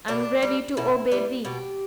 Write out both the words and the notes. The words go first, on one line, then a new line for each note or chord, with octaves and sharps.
I am ready to obey thee.
B2 D4
G3
B2 E4
G3
B2 G4